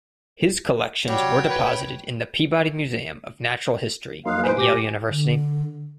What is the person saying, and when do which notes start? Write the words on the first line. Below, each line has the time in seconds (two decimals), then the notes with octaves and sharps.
His collections were deposited in the Peabody Museum of Natural History at Yale University.
1.08 F#3 G3 C#5 G5
1.49 B4
4.25 F2 F#3 A#3 D#4 F5 C6 D#6 F#6
4.43 A2 B4 C5 G#5 D7
4.57 A2 G4 G#5 D6 A#6
5.07 D3